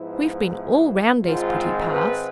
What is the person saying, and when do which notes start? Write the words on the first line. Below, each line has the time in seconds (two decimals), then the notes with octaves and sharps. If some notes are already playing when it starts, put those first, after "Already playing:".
We have been all round these pretty paths.
Already playing: G#2 F3 B3 E4
0.57 E4
1.23 G#1 G#2 G#3 C4 F4
1.90 B4